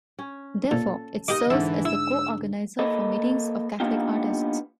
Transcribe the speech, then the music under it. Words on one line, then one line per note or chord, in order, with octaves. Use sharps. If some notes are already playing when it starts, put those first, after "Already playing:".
Therefore, it serves as the co-organizer for meetings of Catholic artists.
C#4
A#2 A4
A#3 D#4 G4 D#5 B5 D6
G#2 D3 E3 A4 E5
E4 E6
A#3 A4 B4 D#5
A#3 B3 D4 D#4 F4 G4